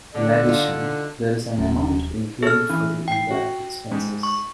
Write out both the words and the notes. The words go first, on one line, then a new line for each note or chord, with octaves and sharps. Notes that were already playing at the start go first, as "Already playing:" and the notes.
In addition, there is an amount included for the indirect expenses.
D3 D5
D#4 F4
D#1 F#2
G#4 A4 C#5 F6
E3
G5 C7
F#4
G#2
C#6